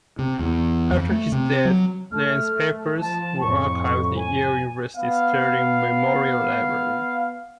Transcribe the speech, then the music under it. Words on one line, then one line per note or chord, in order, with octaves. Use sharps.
After his death, Lane's papers were archived in Yale University's Sterling Memorial Library.
C3
E2
F2
A3
C3
F#3
A3 F6
F3 A5
F2 A2 C#6
G#5
B3 F5